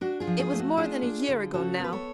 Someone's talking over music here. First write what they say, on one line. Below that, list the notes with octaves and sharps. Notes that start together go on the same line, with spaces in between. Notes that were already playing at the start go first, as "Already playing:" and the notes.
It was more than a year ago now.
D4 F#4
F4 G#4
F3
F4 G#4
A3
F#4
D4 F4 G#4
D4
D3
C#3 F#4 A4
B3 B4
A4 C#5